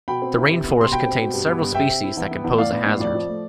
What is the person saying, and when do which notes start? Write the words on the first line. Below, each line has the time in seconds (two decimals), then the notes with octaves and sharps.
The rainforest contains several species that can pose a hazard.
0.08 B2 G5 B5
0.22 C4
0.36 E4
0.50 C3
0.64 B3
0.77 C3 C6
0.91 B2 G5 B5
1.06 C4
1.20 B2
1.34 G2
1.48 B3
1.61 G2
1.75 C3 E5 G5
1.89 C4
2.03 E4
2.17 E2
2.31 B3
2.44 E2
2.58 A2 D5 F5
2.72 B3
2.86 A2
3.00 F2 D5
3.15 F3
3.29 A3